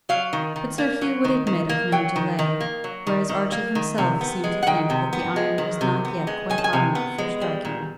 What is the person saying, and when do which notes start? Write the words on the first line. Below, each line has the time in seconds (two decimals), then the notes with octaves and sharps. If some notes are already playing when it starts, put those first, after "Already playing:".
But Sir Hugh would admit of no delay, whereas Archie himself seemed to think that the iron was not yet quite hot enough for striking.
0.09 F#3 F5
0.33 D#3
0.56 D#3
0.78 A#3
1.01 F#3
1.24 D#3
1.47 D#3
1.69 A#3
1.92 F#3 G5
2.16 D#3
2.39 D#3
2.61 A#3
2.84 F#3
3.07 D#3
3.29 D#3
3.52 A#3
3.75 D#3
3.98 C3
4.21 B3
4.44 G#3
4.63 F#5
4.67 D#3 G5
4.90 C3
5.13 B3
5.36 G#3
5.58 D#3
5.81 C3
6.05 B3
6.27 G#3
6.50 D#3 G#5
6.58 A5
6.64 G#5
6.73 C3
6.95 B3
7.18 G#3
7.41 G3
7.65 A#2